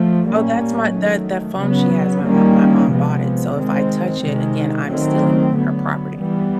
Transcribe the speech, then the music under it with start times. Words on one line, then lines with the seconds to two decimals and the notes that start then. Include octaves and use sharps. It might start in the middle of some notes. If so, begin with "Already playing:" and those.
Oh, that's my that that phone she has, my mo my mom bought it. So, if I touch it again, I'm stealing her property.
Already playing: F3 A3
0.28 A#2 G3 A#3 C#4
0.94 D#3 F#3 A3
1.59 C#3 F#3 B3
2.25 D#3 G3 A#3 C#4
2.91 C3 F3 G#3 B3
3.57 D#3 G#3 C4
4.23 C3 D#3 G#3
4.89 D#3 F#3 A3 C4
5.55 D3 F#3 B3
6.20 E3 G3 B3